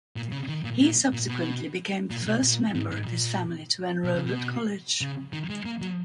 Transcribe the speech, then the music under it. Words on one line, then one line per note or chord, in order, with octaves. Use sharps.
He subsequently became the first member of his family to enroll at college.
A#2
C#3
D#3
A#2
A#2
A#2
B2
A#2
B2
A#2
G#2
G#2
A#2
B2
C#3
B2
C#3
D#3
G#3
A#3
F#3